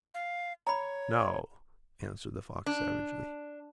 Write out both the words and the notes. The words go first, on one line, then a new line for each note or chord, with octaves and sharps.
"No," answered the fox savagely.
F5
C#5 A#5 B5
D4